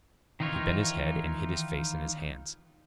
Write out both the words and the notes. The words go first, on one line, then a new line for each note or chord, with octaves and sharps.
He bent his head, and hid his face in his hands.
D#3 E3 D#4 F4 C#5